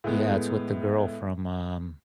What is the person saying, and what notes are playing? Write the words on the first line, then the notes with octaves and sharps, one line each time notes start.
Yeah, it's with the girl from, um,
A2 G#3 B3